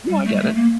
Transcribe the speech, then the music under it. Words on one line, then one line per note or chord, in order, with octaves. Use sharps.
No, I get it.
G3
A3
G3
A3
A#3